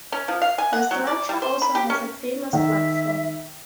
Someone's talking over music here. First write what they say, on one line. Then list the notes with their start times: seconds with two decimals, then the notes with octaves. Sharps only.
The structure also has a famous platform.
0.12 C#4
0.28 F3
0.42 F5
0.58 G#5
0.73 F#5
0.91 F#3
1.07 D5
1.29 G3
1.42 C5
1.62 B5
1.75 G4
1.90 C#4
2.53 D#3 E5